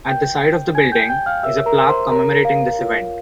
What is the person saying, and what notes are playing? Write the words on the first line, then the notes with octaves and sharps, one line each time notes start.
At the side of the building is a plaque commemorating this event.
F4 A#4 C#5 G5 G6
G4 C#5 G#5 G#6
G5 G6
G5 G6
F5 F6
G4 A#4 C#5 E5 E6
A#4 A#5
C5 C6
G4 A#4 C#5 A#5
F5
F4 A#4 C#5